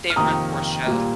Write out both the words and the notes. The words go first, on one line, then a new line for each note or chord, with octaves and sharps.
they run horse shows,
F6
F2 C3 D#3 A#3 A#5 D#6
A#2 G3 A#3